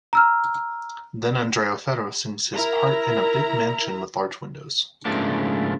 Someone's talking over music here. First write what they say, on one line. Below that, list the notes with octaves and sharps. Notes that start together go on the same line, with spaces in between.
Then Andrea Ferro sings his part in a big mansion with large windows.
A#5 E6 F6
E4 A#4 A#5
G#2 C#3 F3 A3 A#3 D4